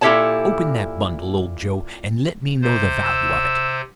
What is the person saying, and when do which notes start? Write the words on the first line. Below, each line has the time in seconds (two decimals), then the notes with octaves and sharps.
Open that bundle, old Joe, and let me know the value of it.
0.01 A#2 E4 G4 A4 C#5 A5
2.62 C3 C5
3.05 E6